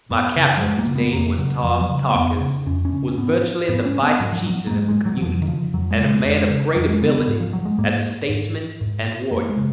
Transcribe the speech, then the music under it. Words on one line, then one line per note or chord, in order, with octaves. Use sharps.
My captor, whose name was Tars Tarkas, was virtually the vice-chieftain of the community, and a man of great ability as a statesman and warrior.
F#2 B3
C#3
F#3
F#2 G#3
A#3
C#3
B3
F2 A#3
C#3 F#3
F2 F3
F#3
C#3
A#3
F2 B3
C#3
F2 C#4
C#4
C#3
C#4
G#2 B3
G#2 B3
C#4
B3
G#2 F#3
F3
F#3
A#3
G#2 G#3
G#3
F#3
F#3
F2 F3
D#3
C#3 F3
F2 F#3
G#3
C#3
G#3
F2 G#3
C#3
F2 F#3
G#3
C#3 B3
B3
G#2
F3
F#3
G#3
G#2 A#3
G#2
G#2
F#2 A#3
G#3
C#3